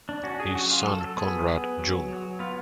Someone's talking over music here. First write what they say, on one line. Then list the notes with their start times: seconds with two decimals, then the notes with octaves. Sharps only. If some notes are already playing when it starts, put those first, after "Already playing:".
His son Conrad jun.
0.09 D4
0.23 C#4 F#4
0.40 G#4
0.55 F#3 F#4
0.70 F4
0.85 F#3 A4
1.01 A4
1.16 B3 G#4
1.47 B3
1.78 F#3
2.08 F#3
2.39 B3 F4